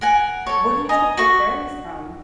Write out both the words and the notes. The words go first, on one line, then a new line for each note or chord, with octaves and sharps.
Where do you take the ferry from?
A#4 F#5 G#5
A4 C#5
D#5 G#5 A#5
F#4 C#6